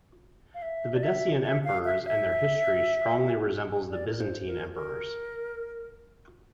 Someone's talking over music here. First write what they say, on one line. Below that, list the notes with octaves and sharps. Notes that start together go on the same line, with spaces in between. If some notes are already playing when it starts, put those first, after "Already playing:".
The Videssian emperors and their history strongly resemble the Byzantine emperors.
F5
E5
D5
E5
E5
F5
E5
E5
D5
A#4
C5
A#4
A#4